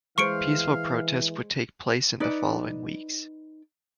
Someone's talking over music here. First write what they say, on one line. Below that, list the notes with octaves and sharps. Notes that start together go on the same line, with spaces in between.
Peaceful protests would take place in the following weeks.
E3 G#3 G#4 C5 F5 C#6 C#7 D7
D#4 B4 D5